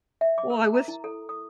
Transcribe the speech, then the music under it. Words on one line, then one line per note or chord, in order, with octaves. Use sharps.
Well, I wish
E5
D6
A#4
A#5
E4
A4
D#6